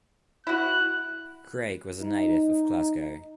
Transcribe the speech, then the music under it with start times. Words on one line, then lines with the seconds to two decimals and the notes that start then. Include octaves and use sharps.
Craig was a native of Glasgow.
0.47 E4 F#4 F#6
1.99 D#4